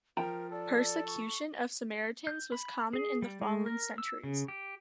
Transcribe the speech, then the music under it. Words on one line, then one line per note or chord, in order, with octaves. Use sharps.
Persecution of Samaritans was common in the following centuries.
F3 A#4 G5 A#5 B5
A4 D5
C#6
G6
B5
G#4
G3
G#3
A#4
E6
C#3
G4